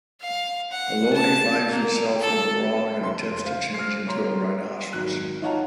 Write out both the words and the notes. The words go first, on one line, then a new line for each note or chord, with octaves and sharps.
Alone, he finds himself in the wrong and attempts to change into a rhinoceros.
F5
F#5
A5
A#3
A4
F1 C6
C5 F5
F6 C7
C#5 A#5 C6
G#1 F#3 F#6
D#4 F4 C#5 F#5 A5 A#5